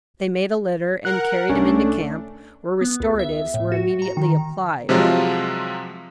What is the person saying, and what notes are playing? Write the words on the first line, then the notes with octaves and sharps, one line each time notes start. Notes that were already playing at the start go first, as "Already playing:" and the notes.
They made a litter and carried him into camp, where restoratives were immediately applied.
A#4 F#5 F#6
C2 A3 C#4 D4 C#5
B3
C#2
E5
A2
F#4
A#5
D#3
C3 F3 F#3 G#3 F4